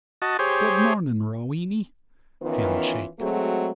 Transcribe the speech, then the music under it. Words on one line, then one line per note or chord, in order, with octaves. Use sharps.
"Good mornin', Roweny"--handshake.
F#4 D#5 A5
G4 G#4 C5 C#5
D#3 E3 B3 C#4 F4 B4
F#3 G#3 A3 C4 F#4 G#4